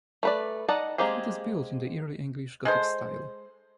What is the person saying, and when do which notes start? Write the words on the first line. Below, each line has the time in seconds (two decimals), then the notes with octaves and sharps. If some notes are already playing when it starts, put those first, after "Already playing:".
It is built in the Early English Gothic style.
0.23 A3 B4 D5
0.68 D#4 D5 D#5 F#5 A5
0.98 G#3 A#3 C4 G4 G#4
2.65 G#3 A4 C5